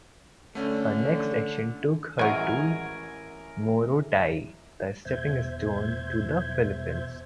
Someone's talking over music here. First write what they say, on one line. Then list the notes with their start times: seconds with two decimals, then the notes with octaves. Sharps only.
Her next action took her to Morotai, the stepping stone to the Philippines.
0.55 D3 A3 C#4
2.19 A1 G#3 F#4 A#4 E5 G#5
5.05 E2 B2 C5 E5 G6 G#6